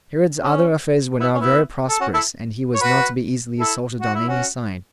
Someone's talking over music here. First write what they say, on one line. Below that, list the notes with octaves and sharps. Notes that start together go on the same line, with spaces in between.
Herod's other affairs were now very prosperous, and he was not to be easily assaulted on any side.
C#4
B3 E4
C#4
B3 E4
A4
C#4 F#4
E4 A4
C#5
F#4 B4
E4 A4
F#4
E4
C#4 F#4